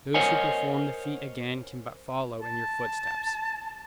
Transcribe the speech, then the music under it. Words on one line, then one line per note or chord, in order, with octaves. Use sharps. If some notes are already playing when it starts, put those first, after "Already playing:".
Those who perform the feat again can but follow in your footsteps.
A#4 C5 C#5 D#5 F#5 G#5
A5